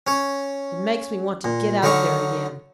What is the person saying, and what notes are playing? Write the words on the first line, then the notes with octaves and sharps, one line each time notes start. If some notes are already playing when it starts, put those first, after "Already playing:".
It makes me want to get out there again.
C#4 C#5
A#2
D3 F#3 D#4 F5 C#6